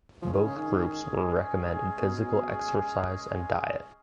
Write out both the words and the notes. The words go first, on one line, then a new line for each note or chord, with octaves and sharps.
Both groups were recommended physical exercise and diet.
F3 G#3 C#4 G#4
D#3
C#3
D#3
B2